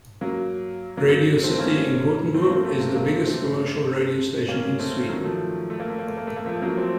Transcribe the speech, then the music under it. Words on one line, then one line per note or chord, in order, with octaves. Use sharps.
Radio City in Gothenburg is the biggest commercial radio station in Sweden.
F#3 A#3
F#3 A#3
A3 C4
A#3 C#4
A3 C4
F#3 A#3
A3 C4
F#3 A#3
F#3 A#3
A3 C4
A#3 C#4
A3 C4
D#3 F#3
F3 A3
A3
A#3
A3
A#3
A3
A#3
A3
A#3
F3 A3
F#3 A#3
A3 C4